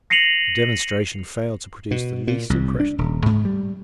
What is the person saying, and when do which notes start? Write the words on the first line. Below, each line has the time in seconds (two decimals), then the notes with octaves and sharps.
The demonstration failed to produce the least impression.
0.10 A#6 C7 C#7 D#7 F7 F#7
1.91 B2
2.27 A#2
2.50 C2
2.80 D4
2.98 D#1
3.26 G#2
3.45 G3